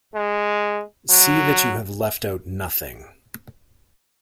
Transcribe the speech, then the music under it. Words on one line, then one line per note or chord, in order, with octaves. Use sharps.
See that you have left out nothing.
G#3
F#3